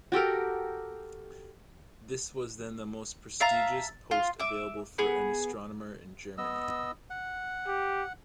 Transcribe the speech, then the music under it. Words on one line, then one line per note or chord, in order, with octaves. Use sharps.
This was then the most prestigious post available for an astronomer in Germany.
F#4 G4 A4 A#4
E5 F5 A5 A#5
F4
E5 D6
B3 G#4
B3 D#5 E6
F#5
G4